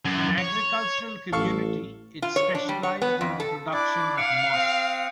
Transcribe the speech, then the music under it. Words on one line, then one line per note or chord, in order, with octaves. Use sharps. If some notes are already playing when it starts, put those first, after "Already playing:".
An agricultural community, it specialised in the production of moss.
F#2
C#5
A1 A4 F5 C#6
F4
C#5
D4
G3
C#5
B3
F2
A4
D4 E4 D5 D6
F5 F#5 F#6 C#7 D7
C4 D#6 F6